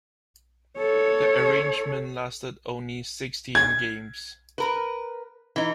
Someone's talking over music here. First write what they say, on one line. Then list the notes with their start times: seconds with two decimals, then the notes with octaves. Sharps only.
The arrangement lasted only sixteen games.
0.78 A4 C#5
3.55 G#6
4.58 A#4 B4
5.56 E3 D#4